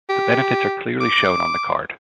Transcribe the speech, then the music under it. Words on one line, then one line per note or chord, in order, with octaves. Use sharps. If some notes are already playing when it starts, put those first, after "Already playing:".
The benefits are clearly shown on the card.
G4
D6